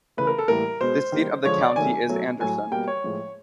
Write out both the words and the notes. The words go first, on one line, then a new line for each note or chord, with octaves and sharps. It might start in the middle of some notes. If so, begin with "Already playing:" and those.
The seat of the county is Anderson.
C#3 E3 A3 B4
A#4
A4
A2 E3 G3 A#3 A#4
B2 G#3 C5
D#3 G3 A#3
D3 F3 G#3 C#5
D5
D#3 F#3 A3 G#5
B2 F#3 A3
A2 F#3 A3 G#5
B2 G3 A#3 G5
C#5
A2 F3 G#3